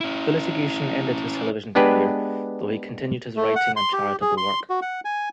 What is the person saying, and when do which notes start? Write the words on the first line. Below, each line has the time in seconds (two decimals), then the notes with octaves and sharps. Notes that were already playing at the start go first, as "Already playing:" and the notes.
The litigation ended his television career, though he continued his writing and charitable work.
0.01 C#4 E4
1.75 G#3 B3 D4 G4 B4
3.36 A3
3.56 F#5
3.76 C6
3.93 G4
4.21 G#4
4.38 C6
4.70 F#4
4.82 F#5
5.05 G#5